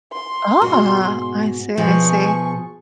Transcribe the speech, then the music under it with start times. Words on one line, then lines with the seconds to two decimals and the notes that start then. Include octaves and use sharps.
Oh, I see, I see.
0.13 C6
0.61 G#2 B2 F#4
1.77 B2 F3 G#4 C#6